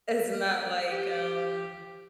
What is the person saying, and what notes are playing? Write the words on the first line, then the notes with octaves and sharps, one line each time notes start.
it's not like, um,
G4